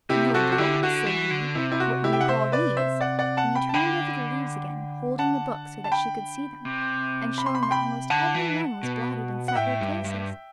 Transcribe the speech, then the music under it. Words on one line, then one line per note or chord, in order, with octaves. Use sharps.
"No blots?" said he; "what do you call these?" and he turned over the leaves again, holding the book so that she could see them, and showing that almost every one was blotted in several places.
C3 E4 G4
C3 F#4 A4
F#4
D3 E4 G4
D3 F#4
E3
D3
C3 E4
E4
F#4
E4 G4
G5
F#5
C5 E5
B4 D5
C5 E5
D5 F#5
D5 F#5
F#5 A5
G5 B5
A5
D3 G5 B5
F#5 A5
A5
G5 B5
C3
B5
C6
B5
C6
G5 B5
D3 F#5 A5
E3
B2
F#5
A2 E5 G5
G2
G2